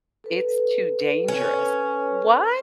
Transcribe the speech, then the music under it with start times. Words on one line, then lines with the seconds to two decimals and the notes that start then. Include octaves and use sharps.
It's too dangerous." What?
0.24 A4 B4
1.28 C#4